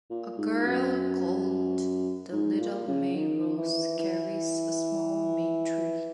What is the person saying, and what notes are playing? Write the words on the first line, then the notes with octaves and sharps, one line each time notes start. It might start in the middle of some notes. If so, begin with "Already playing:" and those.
A girl called the Little May Rose carries a small May-tree.
A#2
G#2
F#2
G#2
A#2
C#3
D#3
E3
E3